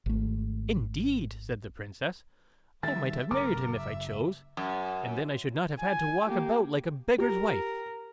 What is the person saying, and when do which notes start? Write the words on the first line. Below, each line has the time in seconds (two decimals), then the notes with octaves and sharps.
'Indeed!' said the Princess; 'I might have married him if I chose, and then I should not have had to walk about like a beggar's wife.'
0.06 G#1 A3
2.83 D#3 G3 E5 A6
3.31 F#1 A#4 D6
3.79 E5
4.57 F#2
5.80 G#5
6.30 A#3 G4
7.18 G4 A#4